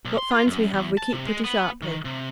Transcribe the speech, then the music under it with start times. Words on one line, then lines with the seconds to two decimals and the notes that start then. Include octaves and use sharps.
What fines we have, we keep pretty sharply.
0.05 B1
0.18 C6
0.31 F4
0.47 F#2
0.73 E2
0.98 A5
1.13 C3
1.26 G#3
1.44 B3
1.82 D#3
2.05 C3